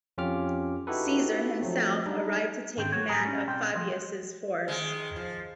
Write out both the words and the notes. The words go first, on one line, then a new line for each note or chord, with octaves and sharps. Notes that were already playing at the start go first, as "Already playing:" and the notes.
Caesar himself arrived to take command of Fabius' force.
F2 C#4 F4 G4 D6 F6
D#4 E4 F#4 G4 A4 B4
F3 F#3 A3 C4
G3 D4 D#4
G#2 D#3 C4 D4 C5 G5
F#3 F#4 C#5
A2 G#3 G#4 A#4
G3 C#4
B1 C4 G5
F3
D#3 G#3
F3